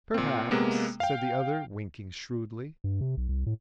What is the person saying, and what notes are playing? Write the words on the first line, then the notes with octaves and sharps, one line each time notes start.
"Perhaps," said the other, winking shrewdly.
A#2 C4
C3 G#3 A#3 B3
F5 G5
G2
C3
B1
C2
A2